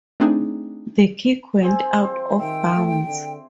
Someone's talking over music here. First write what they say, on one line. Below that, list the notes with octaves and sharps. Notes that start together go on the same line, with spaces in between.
The kick went out of bounds.
A3 C4 D4 D#4 G#4
C4 G#4 C5
F3 C4
D#3 E5 G5
A3
D3